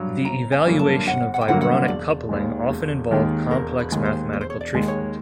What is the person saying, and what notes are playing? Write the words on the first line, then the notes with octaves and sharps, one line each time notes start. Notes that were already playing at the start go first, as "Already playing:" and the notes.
The evaluation of vibronic coupling often involve complex mathematical treatment.
Already playing: G2 F#3
G1 A#5
G#5
G2 D3 F#3 A#3
A5
G1 F#5
F#5
G5
G2 D3 F#3 A#3 F#5
F#5
E1 D5
D#2 D#3 G#3
E1
D#2 D#3 G#3
E1 A#4
B4
D#2 D#3 G#3
C5
E1 C#5
C5
C#5
D5
D#2 D#3 G#3
C#5